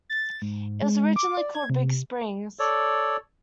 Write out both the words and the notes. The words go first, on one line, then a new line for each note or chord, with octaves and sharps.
It was originally called Big Springs.
A6
G#2
G#3
D6
D5
G#6
C3
A4 C#5 D5